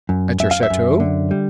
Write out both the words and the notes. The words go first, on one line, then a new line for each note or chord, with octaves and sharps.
"At your chateau."
F#2
F#2 E5
F5
E5
F#2
D3
G3